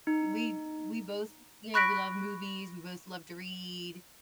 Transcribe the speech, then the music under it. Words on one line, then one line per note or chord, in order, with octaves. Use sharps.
we we both, you know, we love movies, we both love to read,
D#4
B5 C#6 F#6 A#6 B6 D7